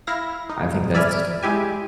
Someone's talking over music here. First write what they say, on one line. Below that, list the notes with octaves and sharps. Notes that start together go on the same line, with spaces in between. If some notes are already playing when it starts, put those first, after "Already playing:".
I think that's
E4 F5 A#6
D#4
D5 E5 G#5 B5 F6
G#3 E4 G4 G#5